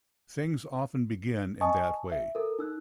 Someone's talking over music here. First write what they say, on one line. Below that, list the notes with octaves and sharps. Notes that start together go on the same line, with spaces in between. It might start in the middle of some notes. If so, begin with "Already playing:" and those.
Things often begin in that way.
D#5 G#5 A5 C#6 D#6
E5
A4 A#4
D#4 E6 F#6